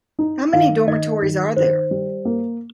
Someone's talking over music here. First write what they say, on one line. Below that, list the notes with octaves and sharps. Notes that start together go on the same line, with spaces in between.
How many dormitories are there?
D#4
D#3 F5
D#3 D#5
D#3
D#3 C5
G3
A#3